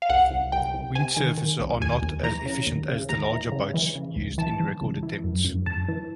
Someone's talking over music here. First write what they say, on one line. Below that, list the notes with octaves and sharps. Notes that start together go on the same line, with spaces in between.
Windsurfers are not as efficient as the larger boats used in record attempts.
F5
C2 F#5
C2
C2 G5
C2
C3 G#5
D#3
D#3
C2
D#2 G#5
D#2
E3 A#5
C#3
D#2
C#3
D#2 A#5
E3
C#3
E3
C#3
C#2
E3 A5
E3
C#2
E3
F#2
F#2
F#2 A5
E3